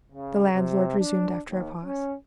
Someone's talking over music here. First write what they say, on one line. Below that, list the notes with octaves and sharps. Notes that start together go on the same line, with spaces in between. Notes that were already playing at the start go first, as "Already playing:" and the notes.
The landlord resumed after a pause.
C#3
C3
D4
D#2
C#4